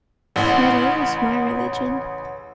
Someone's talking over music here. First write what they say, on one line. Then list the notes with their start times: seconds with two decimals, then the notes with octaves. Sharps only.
Metal is my religion.
0.36 A1 C#3 B3 C#4